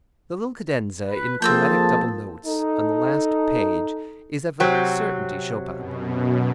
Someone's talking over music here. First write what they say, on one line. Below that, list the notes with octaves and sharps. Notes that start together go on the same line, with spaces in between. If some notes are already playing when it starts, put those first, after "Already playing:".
The little cadenza in chromatic double notes on the last page is of a certainty Chopin.
B4
F3 A#3 C4 G#4 A4 A5 E6 G6
D#4 A4
C3 F#3 C4
F#2 B2